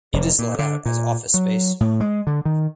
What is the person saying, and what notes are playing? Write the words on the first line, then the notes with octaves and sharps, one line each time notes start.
It is let out as office space.
F1
A#2
D3
A#2
F#3
A2
G#3
D3
D#3